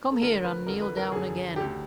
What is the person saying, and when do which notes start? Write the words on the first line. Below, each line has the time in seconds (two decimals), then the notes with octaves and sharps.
Come here and kneel down again!
0.11 A4
0.22 D2 D3 A#4
0.44 B4
0.66 F2 D3 A#4
0.82 B4
0.97 A#4
1.12 F#2 D3 G#4
1.56 D3 G4
1.60 D2